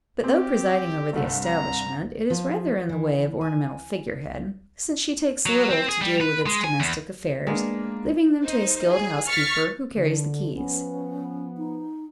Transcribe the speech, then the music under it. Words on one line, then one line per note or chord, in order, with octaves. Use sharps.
But, though presiding over the establishment, it is rather in the way of ornamental figure-head; since she takes little to do with its domestic affairs, leaving them to a skilled housekeeper who carries the keys.
C4 G4
C2 G2 A3
A#5
F3
E3
G#5
F#3
C4
G#4
G3
B4
G#3
G#5
E2
G#3 A#3 B3 D4
D#4 C5
G#4
C#6 F6 A6 B6
D3
F3 B3 C#4
D#4